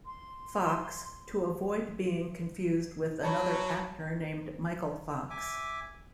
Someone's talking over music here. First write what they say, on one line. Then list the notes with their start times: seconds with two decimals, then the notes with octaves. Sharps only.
Fox, to avoid being confused with another actor named Michael Fox.
0.06 C6
3.23 F#3 A5 B5 C#6
5.30 E5 G#5 D6